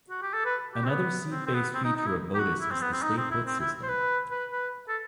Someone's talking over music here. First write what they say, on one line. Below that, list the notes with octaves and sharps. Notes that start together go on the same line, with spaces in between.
Another seat-based feature of Modus is the "Stay Put" system.
F#4
G4
A4
B4
G4
C4
B3
C4
C4
B3
C4
D#4
D#4
E4
G4
F#4
E4
C4
B3
C4
D#4
C4
E4
C4
E4
C5
B4
B4
B4
A4